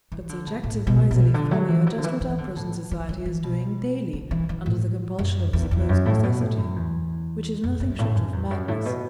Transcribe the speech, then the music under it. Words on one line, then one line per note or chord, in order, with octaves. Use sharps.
But such acts of miserly folly are just what our present society is doing daily under the compulsion of a supposed necessity, which is nothing short of madness.
E3
D3
A2
A2
B2
B2
D3
F#3
E3
F#3
D3
E3
E3
D3
A2
E3
F#3
E3
B2
D3
E3
E3
A2
F#2
E2
E2
F#2
A2
B2
A2
F#2
E2
F#2
F#2
A2
F#2
E2
F#2
A2
B2